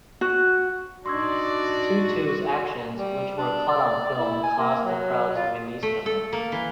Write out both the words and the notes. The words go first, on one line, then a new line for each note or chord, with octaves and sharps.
Tutu's actions, which were caught on film, caused the crowd to release the man.
F#4
D4 D#4 F#4 D5 C6 E6 G#6
G3
D4
D5
E4
G#5
A#3
F#3
F4
A3
A4
A#3
E3